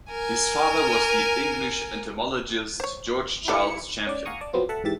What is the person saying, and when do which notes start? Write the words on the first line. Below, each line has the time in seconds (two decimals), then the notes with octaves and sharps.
His father was the English entomologist George Charles Champion.
0.12 A#4 G#5
2.80 C5 C#5
3.48 E4 G4 A4 D5 C#7
4.06 C#4 D5
4.25 F5 F#5 G#5 A#5 C#6 D#6
4.41 D5 A5
4.53 F#3 B3 C4 F4
4.69 A4 E5 F#5 A5
4.84 G#2 E3 G4 E5 A6